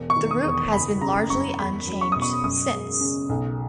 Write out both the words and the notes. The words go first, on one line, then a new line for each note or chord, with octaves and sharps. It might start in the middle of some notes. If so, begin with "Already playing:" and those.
The route has been largely unchanged since.
Already playing: E1
C#6
D#3
D#6
E2
F#1 B5
C#3 A#5
F#2 C#6
E2 B5
F#3
C#6
B2 D#6
C#6
F#2 D#6
G#3
C#3
B1